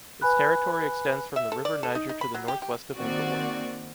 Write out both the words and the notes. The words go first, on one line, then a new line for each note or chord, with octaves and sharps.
Its territory extends from the River Niger to the northwest of Angola.
B4 G#5 B5 F#6
E5
A4
D5
A4
D#4
D#4
B5
F#3
G4
G4
D#3 A#3 C4 F#4 D5